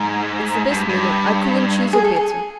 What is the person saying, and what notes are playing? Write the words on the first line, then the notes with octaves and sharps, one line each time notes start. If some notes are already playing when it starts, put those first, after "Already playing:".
"It's the best minute; I couldn't choose a better."
Already playing: G#2
G2
G2
G#4
A4
G#4